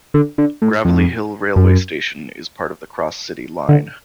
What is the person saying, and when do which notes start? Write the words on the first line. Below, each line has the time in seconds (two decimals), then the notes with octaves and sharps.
Gravelly Hill railway station is part of the Cross-City Line.
0.14 D3
0.38 D3
0.62 A2
0.85 F2
1.56 F#2
3.69 D3